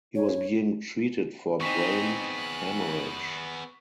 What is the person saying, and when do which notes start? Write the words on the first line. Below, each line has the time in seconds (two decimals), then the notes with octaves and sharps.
He was being treated for brain haemorrhage.
0.15 C#5
1.61 B3 C4 D#4 G#4 C#6 B6 E7
2.37 F#6